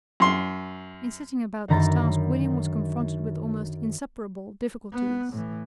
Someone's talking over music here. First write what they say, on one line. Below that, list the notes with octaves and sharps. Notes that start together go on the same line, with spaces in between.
In setting about this task William was confronted with almost insuperable difficulties.
F#2 C6
F#2 D3 D#3 A#5 B5 A6
B3
A2 E3